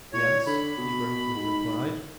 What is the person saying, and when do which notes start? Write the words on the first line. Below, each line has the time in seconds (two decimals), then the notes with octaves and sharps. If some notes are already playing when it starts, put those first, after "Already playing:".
"Yes," he bravely replied.
0.13 A2 C#5
0.47 D3 B5
0.78 B2
1.36 G#2